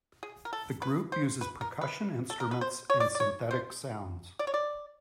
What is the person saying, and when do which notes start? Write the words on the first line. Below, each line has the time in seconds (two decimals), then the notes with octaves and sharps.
The group uses percussion instruments and synthetic sounds.
0.23 G#4
0.45 A#4
0.53 A4
0.82 B4
1.12 C5
1.41 B4
1.61 A#4
1.81 B4
2.30 A4
2.40 A#4
2.51 B4
2.61 C5
2.90 C#5
3.00 D5
3.15 D5
3.20 C#5
3.51 C5
4.39 D5
4.47 C#5
4.54 D5